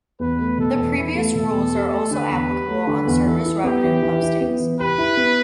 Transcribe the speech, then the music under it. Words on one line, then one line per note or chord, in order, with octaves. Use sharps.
The previous rules are also applicable on service revenue postings.
E2 B4
A3
B2 A4
E2
E2 E4
A3
B2 A4
E2
G4
A3
D3 B4
E2
G4
A3
D3
E2
E3 A4
E4
B3 G4
E3
E3
E4
B3
E3
G4 B4
E4
B3